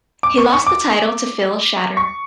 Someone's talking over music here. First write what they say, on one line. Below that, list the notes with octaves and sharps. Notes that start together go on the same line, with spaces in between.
He lost the title to Phill Shatter.
D6
C#6
C#6
D6
C#6